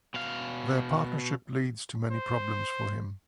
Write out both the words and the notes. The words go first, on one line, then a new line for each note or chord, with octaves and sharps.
Their partnership leads to many problems for him.
B2 F5
C5